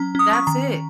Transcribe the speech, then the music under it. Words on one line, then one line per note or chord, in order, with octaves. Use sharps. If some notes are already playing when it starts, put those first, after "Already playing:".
That's it.
Already playing: F#3 C#4 A#5
C#4 D#6
C#6
D#3 A#5